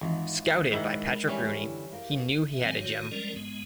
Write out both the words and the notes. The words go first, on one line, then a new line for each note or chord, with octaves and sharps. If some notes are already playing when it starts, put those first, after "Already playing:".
Scouted by Patrick Rooney, he knew he had a gem.
G#1 E3 F3 D#4
G#2 D#3 G#3 E4 A#4 F#5
E3 G3 C#4
D3 E4
G4 A#4 F5
E5
D#3 F#3 C4 F5 G#5
D#3 F#4 C#5
F3 G3 G#3 C#4 A#4 D5
G#2 G#3 B3